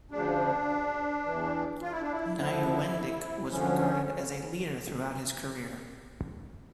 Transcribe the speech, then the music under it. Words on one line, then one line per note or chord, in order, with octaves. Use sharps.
Nieuwendyk was regarded as a leader throughout his career.
D2 C#3 F3 D4
E2 E3
F4
E4
D4
E4
D2 D3 F3 E4
D2 D3 F3 C#4